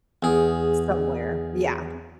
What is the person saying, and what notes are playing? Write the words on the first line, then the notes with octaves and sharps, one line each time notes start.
somewhere yeah,
E2 G#4